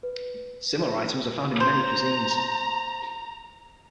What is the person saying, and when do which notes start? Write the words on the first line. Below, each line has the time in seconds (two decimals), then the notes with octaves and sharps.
Similar items are found in many cuisines.
0.03 B4
1.60 C5 A#5